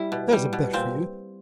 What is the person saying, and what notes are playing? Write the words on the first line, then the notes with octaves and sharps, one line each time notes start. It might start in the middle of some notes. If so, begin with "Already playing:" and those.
There's a bet for you!...
Already playing: G3 E4
B2
G3
B2
A#2 C4